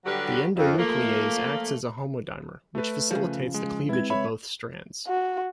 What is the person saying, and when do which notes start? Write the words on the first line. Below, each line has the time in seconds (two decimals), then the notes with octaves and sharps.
The endonuclease acts as a homodimer, which facilitates the cleavage of both strands.
0.05 D3 F#3 G3 F#4 G4 B4
0.57 F2
0.78 F3 A3 A#3
2.75 A3 B4
3.11 C#3 F3
3.54 G#3
3.89 G#3 C4 E4 B4 G#6
4.10 C#5 E5 B5
5.08 F#4